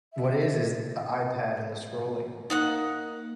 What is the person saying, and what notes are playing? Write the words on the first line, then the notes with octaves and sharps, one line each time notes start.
What it is is the iPad and the scrolling.
E5
A#3 D#4 F#5 F#6